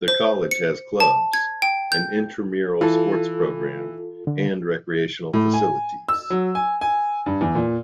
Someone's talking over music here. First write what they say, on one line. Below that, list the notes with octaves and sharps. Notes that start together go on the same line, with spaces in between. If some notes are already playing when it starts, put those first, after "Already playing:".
The college has clubs, an intramural sports programme and recreational facilities.
C5
C#7
A5
G#6
G5
G6
E3 F4 A4
D3
A2
G#5
E6
F#3
G#5
G#5
G2
E2
A#2